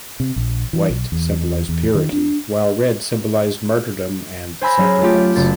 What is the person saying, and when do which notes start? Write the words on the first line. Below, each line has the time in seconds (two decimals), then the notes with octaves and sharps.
White symbolized purity while red symbolized martyrdom and sacrifice.
0.20 C3
0.36 A#1
0.73 E3
0.90 B1
1.12 E2
1.69 E2
1.94 D#3
2.13 D4
4.61 C5 G#5 B5 E6 A#6
4.78 F#3 C#4 G#4
5.02 A3 F4 G4
5.36 F#1 A6